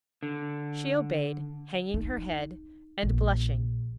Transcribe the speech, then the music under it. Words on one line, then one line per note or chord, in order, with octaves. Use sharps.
She obeyed, hanging her head and blushing.
D3
D#4
A#1